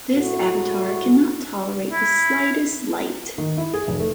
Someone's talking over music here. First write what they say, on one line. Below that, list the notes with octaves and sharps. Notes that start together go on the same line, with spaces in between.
This avatar can not tolerate the slightest light.
A2 E4 F#4
E4
D#3
E4
G#4
F1
A3